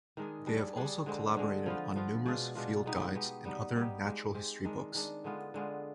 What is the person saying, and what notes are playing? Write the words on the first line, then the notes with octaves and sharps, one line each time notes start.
They have also collaborated on numerous field guides and other natural history books.
D#3 G#3 D4 G#4
G3 D4 G#4
G3 D4 G#4
D3 G#3 C4
D3 G#3 C4
F3 B3 F4
F3 B3 F4
B2 G#3 D4 F4
B2 G#3 D4 F4
G#3 B3 D#4 G4
G#3 B3 D#4 G4
G3 B3 D#4 G4
G3 B3 D#4 G4
G#3 C4 G4
G#3 C4 G4
D#3 G#3 D4
D#3 G#3 D4
D3 G#3 B3 F4
D3 G#3 B3 F4